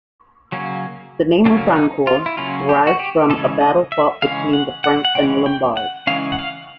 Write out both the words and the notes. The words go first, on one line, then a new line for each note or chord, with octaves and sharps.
The name Refrancore derives from a battle fought between the Franks and Lombards.
C#3 F#3 A#3 C#4
C#3 F#3 A#3 C#4 D4
D#4
F4
E4
C#3 F#3 A#3 C#4 F4
G4
F#4
G4
C#3 E3 G#3 C#4 A4
D#5
E5
C#3 E3 G#3 C#4 F5
F#5
F#5
F#5
C#3 E3 G#3 C#4 G5
G5
F#5
C#3 E3 G#3 C#4 F5
F#5
F5